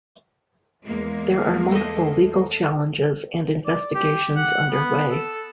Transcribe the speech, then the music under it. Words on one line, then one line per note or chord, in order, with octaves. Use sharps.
There are multiple legal challenges and investigations under way.
E2 G#3 A#3
A3 D#5
D5
G4
F#5
B3
A4